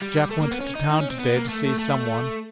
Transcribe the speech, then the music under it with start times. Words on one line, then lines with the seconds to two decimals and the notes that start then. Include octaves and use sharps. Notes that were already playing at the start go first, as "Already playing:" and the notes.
Jack went to town today to see some one.
0.02 G3
0.31 A3
0.41 A#3
0.51 B3
0.61 C#4
0.75 D#4
0.90 D#4
1.00 C#4
1.11 C4
1.20 B3
1.35 A#3
1.49 A3
1.79 A3